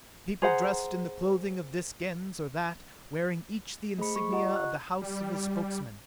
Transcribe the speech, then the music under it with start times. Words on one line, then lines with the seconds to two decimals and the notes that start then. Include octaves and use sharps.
People dressed in the clothing of this Gens or that, wearing each the insignia of the house of his Spokesman.
0.42 G#4 C5 F#5 A#5
3.98 A3 G#4 C5 B5 C#7
4.16 C#6
4.31 F4 G4 D#5 F#5 A#5 C#6
4.56 F#6
5.02 G3